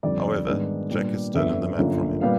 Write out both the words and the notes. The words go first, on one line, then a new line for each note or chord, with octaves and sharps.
However, Jack has stolen the map from him.
F2 D3 G3 D5
G#2 D#3 G3 B3 D4
A#2 G3 B3 D4
G1 F2 D3 G3 B3 E5
G1 F#2 D3 F3 A#3
A#2 G3 B3 F5